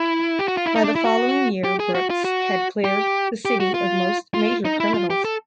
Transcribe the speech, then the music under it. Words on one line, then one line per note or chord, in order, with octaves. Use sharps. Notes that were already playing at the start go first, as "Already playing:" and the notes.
By the following year Brooks had cleared the city of most major criminals.
Already playing: E4
G4
F#4
F4
E4
D#4
D4
E4
F#4
G4
G#4
F#4
F4
F#4
G4
G4
F#4
F4
F4
D#4
E4
F4
G4
A4